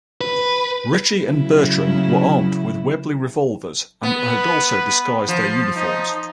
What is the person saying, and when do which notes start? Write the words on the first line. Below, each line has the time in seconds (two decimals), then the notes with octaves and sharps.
Ritchie and Bertram were armed with Webley revolvers and had also disguised their uniforms.
0.21 B4
1.24 C#3 F#3 E4
4.03 B3 B4
5.28 F3
5.76 D#4